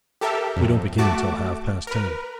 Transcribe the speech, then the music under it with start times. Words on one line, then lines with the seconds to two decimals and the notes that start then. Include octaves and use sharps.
We don't begin till half past ten.'
0.21 G4 A4 A#4 E5
0.56 F2
0.98 A3 F#4 A5 D6
1.87 A#4 B4